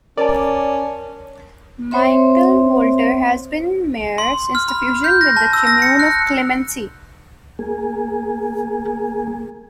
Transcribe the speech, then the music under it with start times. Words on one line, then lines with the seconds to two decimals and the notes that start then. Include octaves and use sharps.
Michel Wolter has been mayor since the fusion with the commune of Clemency.
0.17 C#4 A#4 D5 A5
1.91 C4 C5 C#5 E5 C6
4.18 C6
4.55 F6
4.68 B5
5.04 G6
5.21 A#6
5.36 A5
5.53 E6
5.67 A#6
5.82 C#7
6.00 F#6
7.59 A#3 G#4